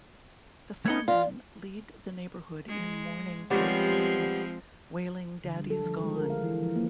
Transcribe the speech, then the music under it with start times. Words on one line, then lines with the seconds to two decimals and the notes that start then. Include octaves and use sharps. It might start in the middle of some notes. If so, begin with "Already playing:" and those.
The four men lead the neighborhood in mourning for Quincas, wailing Daddy's gone!
0.85 A3 B3 D#4 G#6 C#7 G7
1.08 F4 D5 F5
2.68 G#3
3.50 F3 G3 G#3 B3 C4 C#5
5.44 D3
5.56 G3
5.70 A4
5.84 F3
6.03 G#3
6.16 A#4
6.30 F5
6.43 E3
6.62 F3
6.76 A#3